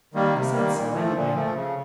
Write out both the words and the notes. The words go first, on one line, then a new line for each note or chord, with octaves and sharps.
She said so, anyway.
D#3 G3 A#3
C3
D#3 G3 A#3
A#2
F3 A3
A#2
F3 A3
C#3